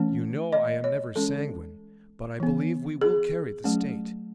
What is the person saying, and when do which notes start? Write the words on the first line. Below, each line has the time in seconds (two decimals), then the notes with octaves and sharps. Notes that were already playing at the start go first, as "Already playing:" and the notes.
You know I am never sanguine; but I believe we will carry the State.
Already playing: E3 A3 C#4
0.53 D#5
0.84 C#5
1.15 E3 G#3 C#4 A4
2.40 E3 B3
3.01 G#4
3.64 F#3 A3 C#4